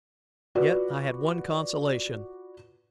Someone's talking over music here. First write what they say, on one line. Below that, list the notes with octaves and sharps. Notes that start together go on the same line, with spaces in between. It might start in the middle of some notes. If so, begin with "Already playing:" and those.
Yet I had one consolation.
F4 F#4 B4 D5